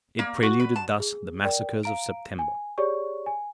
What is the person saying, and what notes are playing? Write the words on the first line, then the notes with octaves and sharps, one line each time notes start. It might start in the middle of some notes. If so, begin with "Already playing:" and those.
It preluded thus the massacres of September.
A#3
F#4
B4
A5
G#4
A#4 D5 G5
F5 A#5 D7
G#5
G4 G#4 C#5 D5 C#6
G#5